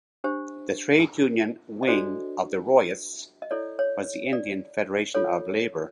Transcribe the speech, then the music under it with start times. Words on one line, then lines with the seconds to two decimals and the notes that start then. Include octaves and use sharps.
The trade union wing of the Royists was the Indian Federation of Labour.
0.24 D4 G4 C5
1.83 D#5
1.87 D4 F#4 A4 C5 D5
3.42 D#5
3.51 E4 A4 C#5 D5
3.79 C#5
4.33 D5
5.14 F4 A4 C#5